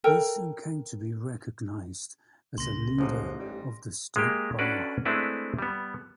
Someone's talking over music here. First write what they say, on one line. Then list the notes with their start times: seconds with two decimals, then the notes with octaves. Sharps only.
He soon came to be recognized as a leader of the state bar.
0.04 A4 A#4 G5
2.58 C#2 A#2 C#3 C6 A#6
2.98 A1 G#2 F3
3.40 G3
4.16 G#3 A#3 G4
4.59 C#4 D4 F#4 A4 B4 D5
5.05 G#3 A3 C4 D4 E4 B4
5.59 G3 B3